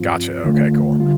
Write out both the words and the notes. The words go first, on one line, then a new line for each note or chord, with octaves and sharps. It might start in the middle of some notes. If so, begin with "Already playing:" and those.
Gotcha, okay, cool.
Already playing: G2 F3 C4 F4
D2 D3 A3 F4
D3 G3 F4